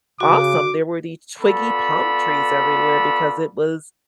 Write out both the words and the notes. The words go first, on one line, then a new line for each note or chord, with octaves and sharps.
awesome. There were these twiggy palm trees everywhere because it was
C#3 F#4 D6
B3 F4 A4 D5 B5